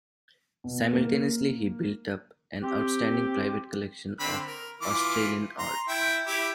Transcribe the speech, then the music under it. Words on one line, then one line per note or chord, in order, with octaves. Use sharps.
Simultaneously he built up an outstanding private collection of Australian art.
B2
A#3
C4 G4
D3 C4 B5
A#4
E3 F4 D6
A#5 C6
E4 G5
E4 G4